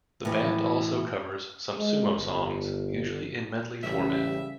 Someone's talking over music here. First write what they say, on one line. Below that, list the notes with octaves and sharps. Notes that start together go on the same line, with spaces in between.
The band also covers some Sumo songs, usually in medley format.
A2 E3
G#3
G1
A1 C#3 G3 E5